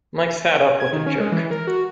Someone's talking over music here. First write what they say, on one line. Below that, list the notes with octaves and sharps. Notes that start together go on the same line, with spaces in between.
Mike sat up with a jerk.
G#6
D#3
C#4
G#3
E3
A#4
F#4